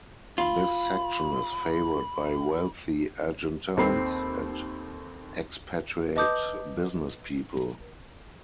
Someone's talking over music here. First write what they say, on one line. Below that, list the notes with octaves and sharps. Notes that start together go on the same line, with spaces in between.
This section is favored by wealthy Argentines and expatriate businesspeople.
F4 B5
D#2 C4 A4 B5 C7
B4 D#5 A5 D6 D#6 G6